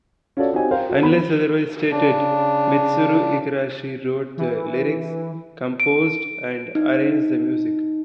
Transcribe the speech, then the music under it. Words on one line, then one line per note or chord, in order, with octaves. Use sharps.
Unless otherwise stated, Mitsuru Igarashi wrote the lyrics, composed and arranged the music.
C#4 F4 F#4 A4 C#5 D5
C4 D#4 F#4 G4 D#5 G#5
A#4 C5 F5 G5
F#4 A4
B3 B5
C#3 D4
E3
D7
D#4